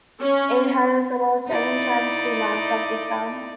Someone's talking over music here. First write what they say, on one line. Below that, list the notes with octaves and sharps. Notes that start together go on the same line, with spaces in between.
It has about seven times the mass of the Sun.
C#4
D#4 E4 D5